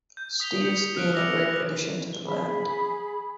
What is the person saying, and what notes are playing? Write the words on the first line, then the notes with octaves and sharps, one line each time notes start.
Steve's been a great addition to the band.
G6
D#6 B6 F7 G7
G6 C#7 F7 F#7
F6 F#6 D7
D6 E6 A#6 C#7 F7
G#4 B5